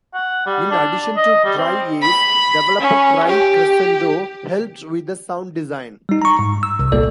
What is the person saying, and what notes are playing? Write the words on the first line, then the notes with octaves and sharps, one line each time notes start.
In addition to tri-Ace, developer tri-Crescendo helped with the sound design.
F#5
G3
D4
D#5
G3
C4
B5
C#4
G4
G3 D#4
A#5 C#6
G#2
E6
C2 C3
G1 C2 A#2 A#3 A4 D5